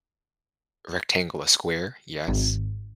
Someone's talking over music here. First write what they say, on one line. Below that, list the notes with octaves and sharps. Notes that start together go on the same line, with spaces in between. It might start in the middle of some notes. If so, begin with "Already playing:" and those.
rectangle a square? Yes.
G#1